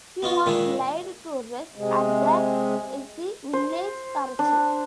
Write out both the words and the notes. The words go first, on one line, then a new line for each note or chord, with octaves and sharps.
He was laid to rest at the Edhi Village Karachi.
B3 D#4 F4 F#4
A#2 D#3 G#3 D4 E4
C3 G#3
C5
D4